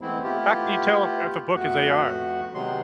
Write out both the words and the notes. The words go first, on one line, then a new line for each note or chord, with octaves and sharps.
How can you tell if, if a book is AI?
E3 G#3 A3 B3 C4 E4
A3 B3 E4 F4 G4
F2 A3 B3 F#4 F#5
C3 D#3 F#3 G#3 B3 C6